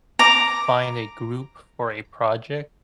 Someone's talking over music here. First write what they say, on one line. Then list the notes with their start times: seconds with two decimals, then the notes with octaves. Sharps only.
find a group for a project,
0.19 A#5 D6